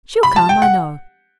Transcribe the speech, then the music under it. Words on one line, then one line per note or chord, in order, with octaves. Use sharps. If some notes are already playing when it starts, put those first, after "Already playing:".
She'll come, I know.
B5
A5
G5
F#5